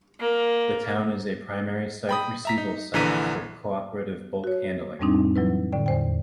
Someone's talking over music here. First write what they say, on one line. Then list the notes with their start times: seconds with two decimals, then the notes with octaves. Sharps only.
The town is a primary site receival site for Cooperative Bulk Handling.
0.20 A#3
2.09 G5 B5 D#6
2.45 E5 A#5 B6
2.58 D#4
2.94 A#1 D3 E3 A#5 B6 D#7
4.44 F#4 C#5
4.99 F2 A2 G3 C4 D4 D#4
5.36 E3 F#3 E4 B4
5.72 A2 D3 D5 G5
5.86 E2 C5 G5